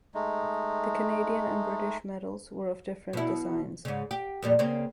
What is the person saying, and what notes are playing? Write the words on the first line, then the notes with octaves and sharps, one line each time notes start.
The Canadian and British medals were of different designs.
G#3 A3 D#4
B2 E4
G#2 C#3
G4
F2 A#2 G3
C#3 A#3 C4